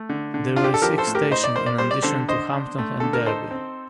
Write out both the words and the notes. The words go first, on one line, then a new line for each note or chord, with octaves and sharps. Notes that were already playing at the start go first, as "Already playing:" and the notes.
There were six stations in addition to Hampton and Derby.
Already playing: A3
D3
D3
D4 F4
G4
A4
F3 G4 A#4
A4 C5
A2
G4 A#4
D#4 C5
D5
A#3 C5
D5
G3 C5
D5
D3 A4 C5
D3 C5 D#5
D4
A3
D3 A4
A#4
D#4 A4 C5
C4